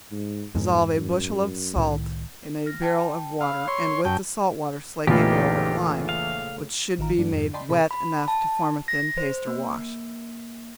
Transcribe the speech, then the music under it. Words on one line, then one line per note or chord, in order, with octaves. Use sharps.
Dissolve a bushel of salt in a barrel of water, and with the salt water slake a barrel of lime, which should be made wet enough to form a thin paste or wash.
G#2
B1 F2 G#2
F#2
C2 A2 D#3
F6 A#6
G5 A5
F5 B5 E6
C#5 C6
F#2 G5 A5
A#1 E2 C#3 A3 D#4 F4 G4 B4
F5
A1 D#3 F4 A#5
G2 F#3 A3 D4
F2 G#2
D5 D#5 G5 A5 B5 C6
A2 C3 G#4 A4 B5
B5
A5
A#6
C5
A#3